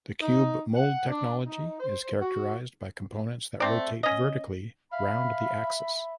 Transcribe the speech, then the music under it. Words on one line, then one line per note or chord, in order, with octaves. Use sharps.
The cube mold technology is characterized by components that rotate vertically round the axis.
D#4
F#5
D4
D#4
C5
F#4
A3 C4 D5
C#4 D#5
E5 F5 B5